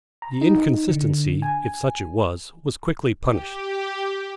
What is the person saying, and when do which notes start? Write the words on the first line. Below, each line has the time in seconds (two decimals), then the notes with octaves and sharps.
The inconsistency, if such it was, was quickly punished.
0.22 A#5
0.41 D#4
0.89 D3
1.42 G#5
3.22 G4